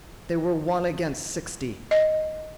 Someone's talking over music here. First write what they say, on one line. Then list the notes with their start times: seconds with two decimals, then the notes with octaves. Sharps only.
They were one against sixty.
1.91 D#5